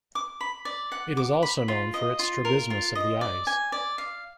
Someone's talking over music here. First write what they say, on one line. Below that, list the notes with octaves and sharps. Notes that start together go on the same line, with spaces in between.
It is also known for its strabismus of the eyes.
D6
B5
D5
F#5
D6
B5
F4
D#5
F4
A#4
F4
D#5
D5
G#5
D5
F5